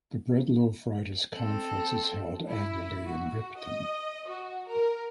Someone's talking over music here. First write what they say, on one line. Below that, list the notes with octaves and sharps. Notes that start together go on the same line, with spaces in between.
The Bread Loaf Writers' Conference is held annually in Ripton.
C4 A4
E4
F#4
D#5
F#4
A#4